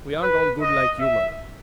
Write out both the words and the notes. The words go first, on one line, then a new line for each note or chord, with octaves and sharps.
We aren't all good like you, mother.
B4
D#5
E5